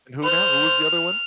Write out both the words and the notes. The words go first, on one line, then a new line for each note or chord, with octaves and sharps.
And who now? Who was the other one?
C5 F6